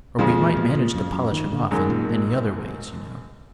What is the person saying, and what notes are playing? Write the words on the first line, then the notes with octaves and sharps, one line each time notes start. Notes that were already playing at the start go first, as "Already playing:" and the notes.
"Or we might manage to polish him off in any other way, you know."
F2 D3 F3 G#3
A#2
B2
A#2
F#2
F#2
D#3
D3
G#1 F#2 D#3 G#3
A#2
A#2